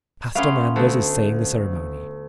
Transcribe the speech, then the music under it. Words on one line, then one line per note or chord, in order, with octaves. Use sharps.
Pastor Manders is saying the ceremony.
A3 B3 C#4 F5 C6
D2 A4